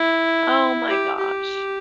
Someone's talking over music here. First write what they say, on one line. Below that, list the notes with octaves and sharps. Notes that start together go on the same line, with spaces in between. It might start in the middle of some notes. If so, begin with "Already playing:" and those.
Oh my gosh.
Already playing: E4
G4
G4